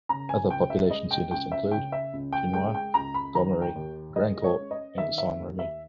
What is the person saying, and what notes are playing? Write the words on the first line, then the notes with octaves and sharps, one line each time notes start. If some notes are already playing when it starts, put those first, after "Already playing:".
Other population centers include: Chenois, Gomery, Grandcourt, and Saint-Remy.
C#3 A#5
G#5
C#2 G5
E5
G#3 D#5
G5
C#2 G5
E5
C#3 G5
E5
C#2
G5
G#3 G5
G5
C#2 A#5
B5
D#3 A#5
G5
D#2
G#3 D#5
C#5
C#4
D#5
D#3 E5
E5
D#2
E5